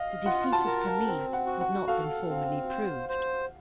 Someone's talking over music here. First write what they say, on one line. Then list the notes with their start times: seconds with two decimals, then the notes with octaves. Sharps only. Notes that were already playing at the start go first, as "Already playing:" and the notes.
The decease of Camille had not been formally proved.
Already playing: D#5 F5
0.26 F4 F#5
0.53 A5
0.66 A#4
1.07 C4
1.33 F#5
1.46 F#4
1.61 F#5
1.88 A4 F5
2.29 C4
2.69 C5
3.09 C5